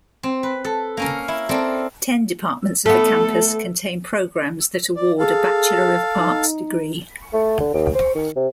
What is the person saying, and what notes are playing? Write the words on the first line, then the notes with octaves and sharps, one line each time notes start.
Ten departments of the campus contain programs that award a Bachelor of Arts degree.
C4
B4
A4
A#3 C#4 A#4
E4
C4 A4 A#4 D5
A3 B3 A4
D5
G#4 A4 F5
D#4
A3
D3
D#2
C5
D#3
C3